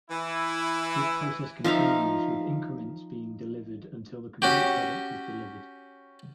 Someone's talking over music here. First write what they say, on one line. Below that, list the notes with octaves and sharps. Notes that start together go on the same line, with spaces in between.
This process continues, with increments being delivered until the complete product is delivered.
E3 E4
F3 D#4 E5 F5
C#4 F#4 G4